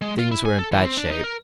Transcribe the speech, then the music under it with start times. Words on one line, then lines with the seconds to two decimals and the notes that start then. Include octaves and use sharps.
Things were in bad shape.
0.01 G#3
0.19 F4
0.31 E4
0.46 G#5
0.59 A4
0.72 E3
0.84 C4
0.97 D4
1.11 D#4
1.24 A#4